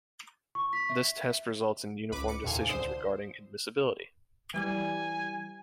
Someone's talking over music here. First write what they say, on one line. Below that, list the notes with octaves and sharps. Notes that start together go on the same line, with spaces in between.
This test results in uniform decisions regarding admissibility.
C#6
B6
E5
C#2 B4 B5 D6
D6 C#7
D#2 A2 C3 F5 G#5
C#2 D3 C5 D#6 E7
E3 G3 G#5